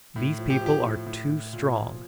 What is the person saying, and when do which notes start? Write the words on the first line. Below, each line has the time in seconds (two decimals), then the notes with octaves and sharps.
These people are too strong.
0.16 A2
0.39 F3
0.50 G4
0.60 F3
0.66 G4
0.83 A2
1.06 A2
1.29 A2
1.53 A#2
1.75 F3